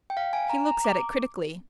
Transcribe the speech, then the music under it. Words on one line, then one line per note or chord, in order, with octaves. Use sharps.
He looks at it critically.
G5
F5
G#5
A#5
A#5
D6